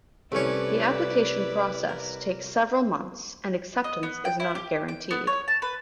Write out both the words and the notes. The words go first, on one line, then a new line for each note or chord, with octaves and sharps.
The application process takes several months, and acceptance is not guaranteed.
C2 A3 C#4 E4 B4 C#5 D5
A#4
D#5
B3
G5
E4
G4
G5
B3
C#5
A5
B4